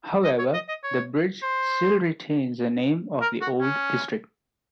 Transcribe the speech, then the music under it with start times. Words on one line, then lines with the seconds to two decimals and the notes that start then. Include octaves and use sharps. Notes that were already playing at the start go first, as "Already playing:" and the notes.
However, the bridge still retains the name of the old district.
0.24 D#5
0.39 C#5
0.54 D#5
0.69 D#5
0.84 C#5
1.43 C5
3.22 A#4
3.41 F#4
3.61 C#4